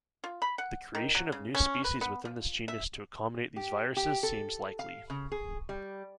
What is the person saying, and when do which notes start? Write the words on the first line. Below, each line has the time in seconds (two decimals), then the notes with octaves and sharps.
The creation of new species within this genus to accommodate these viruses seems likely.
0.24 F4
0.42 B5
0.58 F#5
0.95 D#3
1.15 F#3
1.32 C#3
1.55 C#4
1.84 B4
2.01 B3
2.25 F3
2.68 E5
3.56 G4
3.97 G4
4.23 A4
4.79 F5
5.10 C#3
5.32 G#4
5.69 G3